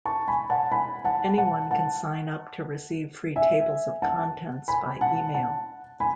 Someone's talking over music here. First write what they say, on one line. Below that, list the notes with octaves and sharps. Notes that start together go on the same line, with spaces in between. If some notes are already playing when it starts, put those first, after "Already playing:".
Anyone can sign up to receive free tables of contents by email.
A5 C#6
G#5 B5
F#5 A5
G#5 B5
F#5 A5
F#5 A5
F#5 A5
E5 G#5
F#5 A5
G#5 B5
F#5 A5
F#5 A5
G#5 B5